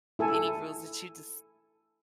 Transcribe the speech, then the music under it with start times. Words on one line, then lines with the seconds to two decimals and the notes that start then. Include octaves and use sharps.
any rules that you just
0.19 E4 A4 G#5